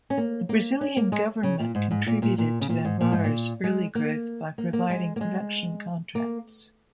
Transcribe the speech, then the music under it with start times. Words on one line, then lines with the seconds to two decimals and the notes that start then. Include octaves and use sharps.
The Brazilian Government contributed to Embraer's early growth by providing production contracts.
0.10 C#4
0.18 A#3
0.49 A#3
0.81 C#4
0.97 A#3
1.12 G#3
1.43 C#3
1.60 A#2
1.75 G#2
1.91 G#2
2.07 A#2
2.22 A#2
2.38 A#2
2.61 C#3
2.70 A#2
2.85 G#2
3.01 A#2
3.12 G#2
3.24 A#2
3.64 G#3
3.95 A#3
4.58 A#3
4.73 A#3
4.90 G#3
5.16 A#3
5.21 G#3
6.15 A#3